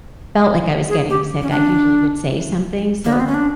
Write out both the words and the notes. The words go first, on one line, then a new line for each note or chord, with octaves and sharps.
felt like I was getting sick, I usually would say something, so
G#4
G4
C#4
D4
A#3
B3
C4
C#4
D4